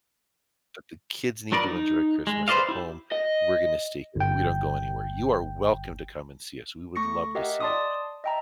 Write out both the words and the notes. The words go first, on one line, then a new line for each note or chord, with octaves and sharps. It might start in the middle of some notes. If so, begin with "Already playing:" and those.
but the kids need to enjoy Christmas at home. We're gonna stay here, we don't go anywhere, you are welcome to come and see us, we would love to see you,
F#3 D4 A#4 B4 D5
D#4
G#3
B4 C5 D5 D#5 F5
E4 G4
D#5
G1 G5
A3 C#6 A#6 C#7
G4 A#4 D#5 E5 F#5 G5
D5 A5 C6 D6 D#6
D#5 E5 G5 A5 A#5